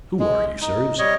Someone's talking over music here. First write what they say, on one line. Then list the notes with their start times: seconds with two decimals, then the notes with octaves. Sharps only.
"Who are you, Sirs?"
0.19 G#3
0.61 D#4
0.98 G3 C#5 D#5